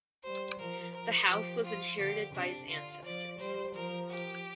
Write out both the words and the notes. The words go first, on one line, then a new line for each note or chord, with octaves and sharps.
The house was inherited by his ancestors.
G3 C5
F3 A#4
A#4
F3 G4
F4
D3 G4
C3 D4
D3 F4
F3 D5
G3 C5
F3 A#4
G4